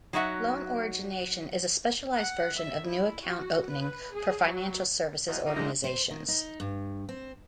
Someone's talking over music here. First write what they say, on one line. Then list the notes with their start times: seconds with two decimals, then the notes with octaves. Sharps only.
Loan origination is a specialized version of new account opening for financial services organizations.
0.13 F#3 D#4 F#4 E5 F#5
2.18 F#5
2.56 E5
2.87 E4
3.24 F#4
3.70 B4
4.12 G#4
4.43 F#3
5.28 D#2 D#4 E4 F#4 E5
5.45 C#3 A#3 D#4
5.56 A#1 D3 G#3 D4 D#5 G6
5.84 C5
6.11 D#3
6.28 D#4
6.60 G2
7.09 C4